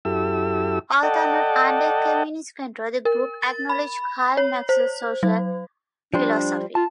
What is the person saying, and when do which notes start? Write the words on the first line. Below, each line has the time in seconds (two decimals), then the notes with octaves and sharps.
Although not under Communist control, the group acknowledged Karl Marx's social philosophy.
0.05 F#2 E4 G4 A4 E6
1.03 A4 D5 D#5 F#5 G5 A5
3.05 A#4
3.42 A6
3.69 B5
4.37 C#5
4.69 C5
5.23 F#3
6.14 F3 G3 D4 C5
6.75 F4 A5